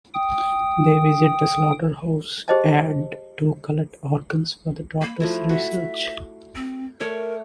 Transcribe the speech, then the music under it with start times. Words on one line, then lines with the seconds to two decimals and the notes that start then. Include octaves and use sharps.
They visit the slaughterhouse yard to collect organs for the doctor's research.
0.14 G5 D#6
2.48 G4 G#4 C5 D#5 G5 A5
5.02 A#3 B5
5.20 F3 A3 E4 F#4
5.49 F#4 E5
6.55 C4
7.00 A3 A#4 C#5 D5